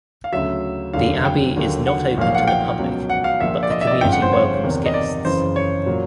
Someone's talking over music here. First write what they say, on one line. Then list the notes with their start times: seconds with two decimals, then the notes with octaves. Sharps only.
The Abbey is not open to the public, but the community welcomes guests.
0.24 F5
0.33 D2 C#3 F#3 E5
0.93 F1 D#2 D3 F#3 F5
1.25 G5
1.56 D#2 D3 F#3
1.86 F#5
2.17 B1 A#2 F3 F5
2.35 F#5
2.48 G5
2.79 C#2 B2 F#3
3.10 F#5
3.24 F5
3.40 A#1 A#2 F3 E5
3.63 D5
3.71 D#5
3.81 E5
3.87 D5
3.91 D#5
4.01 G1 F2 C#3 F3 G5
4.12 F#5
4.22 C5
4.33 C#5
4.64 E2 C3 D#3
4.86 D#5
4.94 D5
5.25 F#1 F#2 C#3 E3 C5
5.56 C#5
5.86 A#2 F#3